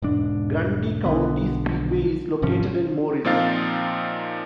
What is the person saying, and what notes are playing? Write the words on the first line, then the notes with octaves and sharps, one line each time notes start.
Grundy County Speedway is located in Morris.
E1 G#2 D4
B1 D3 B3
G#1 C3 F3 C#4
A#2 F3 C4 D#4 F5 A6